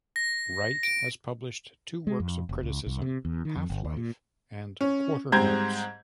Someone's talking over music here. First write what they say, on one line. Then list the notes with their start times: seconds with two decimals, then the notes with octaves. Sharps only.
Wright has published two works of criticism, "Halflife" and "Quarter Notes".
0.16 A#6
0.83 D7
2.07 G#3
2.20 F2
2.49 F1
2.63 C#2
2.86 C2
3.02 C3
3.25 E2
3.45 D#3
3.56 F2
3.70 G1
3.84 D#2
3.97 A#2
4.81 C#4
5.32 G#2 G3 C4 A#5 G6 G#6